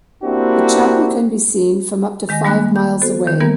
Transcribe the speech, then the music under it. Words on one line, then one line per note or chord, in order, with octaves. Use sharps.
The chapel can be seen from up to five miles away.
A#3 C4 D4 E4 F#4 G4
D#3 G#3 D#5 G#5 A#6
G3 G#3 A#3 D4 G#5 F#6
G6
B3 F#4 A4 C5
D#3
D#3 E3 G3 A#3 B3 A#4